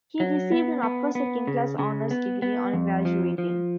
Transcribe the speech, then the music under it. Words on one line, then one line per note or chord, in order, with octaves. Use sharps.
He received an Upper-Second Class Honours degree on graduating.
F#3
B3
B3
B3
C#3
C#3
B3
B3
F2
F3
F3